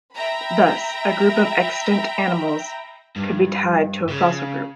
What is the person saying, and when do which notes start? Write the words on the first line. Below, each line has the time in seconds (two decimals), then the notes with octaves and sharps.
Thus, a group of extant animals could be tied to a fossil group.
0.14 E5 G5 A#5 B5
3.16 G2
4.09 C#3